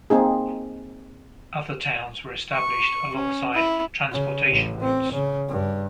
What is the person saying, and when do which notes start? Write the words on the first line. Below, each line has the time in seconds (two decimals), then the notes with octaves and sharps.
Other towns were established alongside transportation routes.
0.10 A#3 C4 D#4 G#4
2.53 C#6
3.15 C#4
3.54 E4
4.12 C#3
4.51 A1
4.81 C4
5.13 C#3
5.48 G2